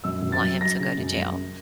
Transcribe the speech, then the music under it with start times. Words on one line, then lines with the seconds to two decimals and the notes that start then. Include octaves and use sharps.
want him to go to jail,
0.04 F#2 E6
0.22 F#2
0.32 A6
0.41 F#3
0.61 F#3 A#6
0.80 C#3
0.98 F#2
1.18 F#2